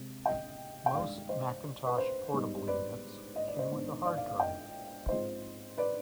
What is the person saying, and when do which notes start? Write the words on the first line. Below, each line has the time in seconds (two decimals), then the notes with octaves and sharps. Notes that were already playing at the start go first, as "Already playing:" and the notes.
Most Macintosh Portable units came with a hard drive.
Already playing: C3 G#3 C4
0.26 D#5 G5
0.86 G5
0.94 G2 D#3 G#3 D5 F5
1.29 C5 D#5
1.87 B4
1.98 C5
2.33 G#2 G3 B3 D#4
2.67 B4 D5
3.36 D#5
3.48 D5
3.59 C5 D#5
3.71 G#2 D#3 B3 D4
4.05 D5 F5
4.17 D5 F5
4.28 D5 F5
4.40 D#5 G5
5.08 G#2 F3 G#3 C4 D#4 C5 D#5
5.78 B4 D5